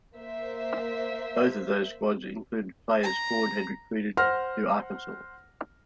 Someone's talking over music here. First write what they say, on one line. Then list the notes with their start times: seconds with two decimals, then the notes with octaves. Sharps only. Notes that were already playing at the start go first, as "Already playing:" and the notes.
Both of those squads included players Ford had recruited to Arkansas.
0.16 A#3 C5 E5
3.03 A#5
4.17 C5 F#5 C6 F6 A#6